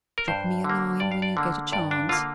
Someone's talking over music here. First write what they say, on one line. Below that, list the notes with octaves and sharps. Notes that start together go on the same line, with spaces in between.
"Drop me a line when you get a chance."
A#4
G2 C5
D3
A#3
G2 D5
F5
D5
D3 A#3
G2 D5
D4
D3 A#3 F4